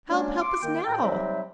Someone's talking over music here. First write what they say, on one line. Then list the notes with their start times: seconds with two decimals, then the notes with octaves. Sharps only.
Help, help us now!'
0.09 F#3 G#3 A#3 C#4 D4
0.41 C6 D6
0.62 D#3 A#3 G5
0.86 A2 G5
1.02 C3 F#3 G3 D#4 E5